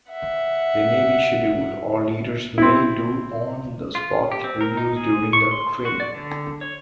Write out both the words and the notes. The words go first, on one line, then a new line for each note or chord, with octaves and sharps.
They may be scheduled, or leaders may do on-the-spot reviews during the training.
E5 F#5
C4 E4
F4
G4
C4
A#4
D#4
G#4
C#6
C6
F#4
D5
D3
C#5